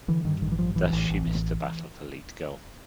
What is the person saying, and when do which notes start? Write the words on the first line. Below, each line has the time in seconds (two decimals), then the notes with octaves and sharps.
Thus, she missed the Battle for Leyte Gulf.
0.08 D3 E3
0.25 G2 D#3
0.42 A1 D#3
0.52 E3
0.59 G2 F3
0.76 A1 E3
0.93 A1
1.10 A1
1.26 A1